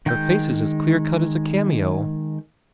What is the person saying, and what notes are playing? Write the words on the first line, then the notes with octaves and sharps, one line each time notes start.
Her face is as clear-cut as a cameo.
D#3 G#3 G5 G6